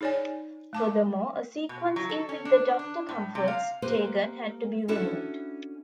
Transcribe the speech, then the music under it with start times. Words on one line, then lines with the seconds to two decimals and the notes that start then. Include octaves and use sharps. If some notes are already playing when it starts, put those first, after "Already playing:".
Furthermore, a sequence in which the Doctor comforts Tegan had to be removed.
0.01 D#4 G#4 C#5 D5 G#5
0.73 A3 A5 D6
1.69 B2
1.96 F#3
2.10 A4
2.29 C#4
2.45 D4
2.79 D4
3.09 A2
3.35 C3
3.48 F5
3.82 A#3 G4 B4 C5
4.88 C#4 D4 E4 F#4 A4